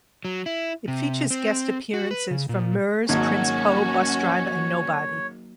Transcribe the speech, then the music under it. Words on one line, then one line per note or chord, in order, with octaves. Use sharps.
It features guest appearances from Murs, Prince Po, Busdriver and Nobody.
F#3
E4
C3
C4
F#4
B4
C#3
A#2
G#1 F#3 A#3 C#4 F#4 C#5